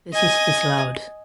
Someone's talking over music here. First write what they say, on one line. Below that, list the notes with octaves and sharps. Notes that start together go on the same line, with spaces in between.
This was disallowed.
D#5 G#5